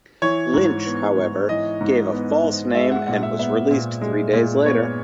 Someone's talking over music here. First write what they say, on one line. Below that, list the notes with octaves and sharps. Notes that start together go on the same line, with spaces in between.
Lynch, however, gave a false name and was released three days later.
E3 C#5
G#2
B3
G#2
E3 D#5
G#2
B3
G#2
G#3 E5
F#5
A#2 F#5
E5
B3 E5
A#2
G#3
A#2
B3 C#5